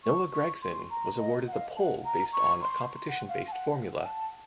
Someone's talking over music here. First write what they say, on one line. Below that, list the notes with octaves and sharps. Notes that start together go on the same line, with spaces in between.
Noah Gragson was awarded the pole based on competition based formula.
C#6
C#6
C6
A#5
D#5
F#5
F5
A5
F#5
A#5
C#6
C6
F#5
F5
A5
F#5
F#5
A5